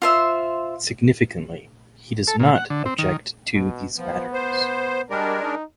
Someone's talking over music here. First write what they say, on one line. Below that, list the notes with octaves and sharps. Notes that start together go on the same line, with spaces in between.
Significantly, he does not object to these matters.
F4 C5 E5
A4
A#2
F#5
D3
C4
D#3
B2
F3 B3
C5
G3 G#3 D4 A#4
D#4